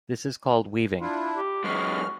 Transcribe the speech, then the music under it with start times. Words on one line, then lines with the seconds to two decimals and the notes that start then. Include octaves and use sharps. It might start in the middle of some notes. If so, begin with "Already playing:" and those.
This is called Weaving.
1.01 D4 E4 F4
1.36 G4
1.64 F#2 E3 G#3 F#4 F6